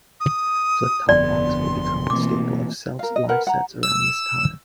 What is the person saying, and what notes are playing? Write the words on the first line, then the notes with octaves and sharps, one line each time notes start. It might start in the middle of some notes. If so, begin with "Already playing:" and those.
"Flip-Top Box" would become a staple of Self's live sets around this time.
D#6
G1 F2 D3 B3 D5 C6
B2 E3 A3 A#3 C4 D6
A#4 F5
D#5
A#4 B4 F#5
F#5 A#5
E6